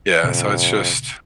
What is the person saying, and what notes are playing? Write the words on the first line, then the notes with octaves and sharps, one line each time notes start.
Yeah, so it's just
F2 A#2 C#3